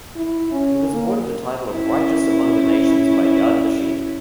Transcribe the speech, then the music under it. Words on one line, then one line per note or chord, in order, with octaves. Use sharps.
He was awarded the title of Righteous Among the Nations by Yad Vashem.
E4
C#4
A#3
C#4 E4